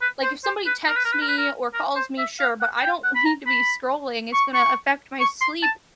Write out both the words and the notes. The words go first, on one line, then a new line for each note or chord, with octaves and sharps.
like, if somebody texts me or calls me, sure, but I don't need to be scrolling, it's gonna to affect my sleep
B4
C5
C5
B4
A#4
B4
A#4
B4
A#4
B4
A#4
A#4
C5
E5
F5
F#5
G5
F#5
B5
A#5
B5
C#6
C#6
C#6
C6
A5